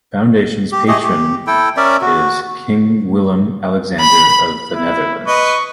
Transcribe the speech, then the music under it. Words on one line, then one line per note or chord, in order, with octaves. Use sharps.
The Foundation's patron is King Willem-Alexander of the Netherlands.
G4
A3 G4 G#4 D#5
G4
E4 A4 G5
C#4 A#4 D5 E5
F#4
B5
E4
B4 D#5 C#6